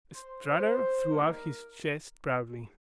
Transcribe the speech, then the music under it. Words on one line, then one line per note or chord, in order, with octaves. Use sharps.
Strutter threw out his chest proudly.
C5
C4 G4 C5
G3 A#3 D#4 A#4